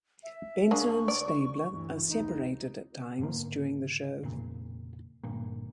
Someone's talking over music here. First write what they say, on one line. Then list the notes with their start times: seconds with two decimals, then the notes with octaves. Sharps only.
Benson and Stabler are separated at times during the show.
0.23 E5
0.71 D2 A#3 D4 G#4 C#6
1.08 D5
1.70 G1 D2 E3
2.08 F1 C#2 D#4
3.19 G#2 D3 A#3
4.23 F1 A#2 C#3
5.23 G1 G2 A#2